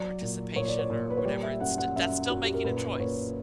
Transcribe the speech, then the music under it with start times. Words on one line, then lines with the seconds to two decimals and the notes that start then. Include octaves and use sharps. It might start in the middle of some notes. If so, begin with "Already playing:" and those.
"Non-participation," or whatever. It's st that's still making a choice.
Already playing: F#3 D5
0.21 A#2
0.56 A#2 C#5
0.68 D5
0.79 C#5
0.90 A#2
1.10 B4
1.17 C#5
1.25 G3 D5
1.43 E5
1.60 F#2 F#5
1.78 F#5
1.96 F#2 E5
2.30 F#2 F#4
2.42 G4
2.54 A#4
2.65 A#2 B4
2.94 B4
2.99 A#2 C#5